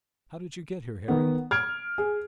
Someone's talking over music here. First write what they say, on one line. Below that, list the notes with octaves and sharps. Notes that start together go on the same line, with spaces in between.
How did you get here, Harry?
D#3 B3
F6 G#6 D7
G#4